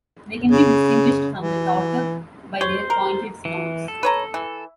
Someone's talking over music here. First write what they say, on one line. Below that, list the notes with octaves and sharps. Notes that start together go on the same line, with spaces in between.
They can be distinguished from the tautog by their pointed snouts.
C#3
E3
C5 C#5
A#4
E3
A4
B4 C#5 A#5
E3